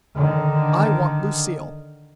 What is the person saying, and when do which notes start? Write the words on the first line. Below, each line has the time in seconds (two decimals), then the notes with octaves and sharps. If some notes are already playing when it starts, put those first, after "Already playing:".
I want Lucille.
0.15 D3 D#3